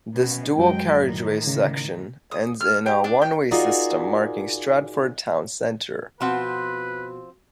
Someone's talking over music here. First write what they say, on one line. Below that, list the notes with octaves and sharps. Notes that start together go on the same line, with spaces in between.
This dual carriageway section ends in a one-way system marking Stratford town centre.
B2 C#4
F#2 F#3 G#3 G5
A2 D#3
C#3
D#6
F6
G4
D4
G5
D#4 F4 F#4 G#4 A#4 D5
B2 F3 C4 B4 F#5